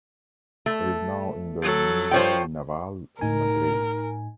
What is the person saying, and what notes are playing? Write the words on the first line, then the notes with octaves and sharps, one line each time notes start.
It is now in the Museo Naval in Madrid.
A3
F#3 A4
F3 C5 C#5 G5
A2 D#4 A#4 G#5